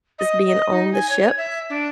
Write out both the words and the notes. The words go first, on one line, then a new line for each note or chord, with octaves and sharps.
is being on the ship
D#5
D#5
D#4
G#5
C#5
E5
D4